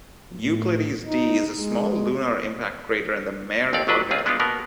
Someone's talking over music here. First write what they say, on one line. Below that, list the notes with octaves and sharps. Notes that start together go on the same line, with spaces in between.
Euclides D is a small lunar impact crater in the Mare Cognitum.
A2
D#4
G#3
A1 D#2 C4 C#5 D5
G1 F#3 D4 B4
C#2 C4 F4 G#4
G#3 B3 D4 D#4 F4
B2 A#3 B3 A#4